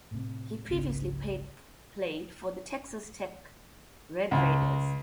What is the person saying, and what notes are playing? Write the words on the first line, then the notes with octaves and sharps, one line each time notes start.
He previously played for the Texas Tech Red Raiders.
A2 C3
G#1 C#2 C#3 C4
C#2